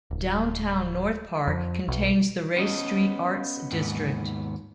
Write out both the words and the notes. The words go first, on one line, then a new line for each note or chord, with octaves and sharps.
Downtown North Park contains the Ray Street Arts District.
D1
F2
B1
B3 C#4 D#5
D#2 G#2 B3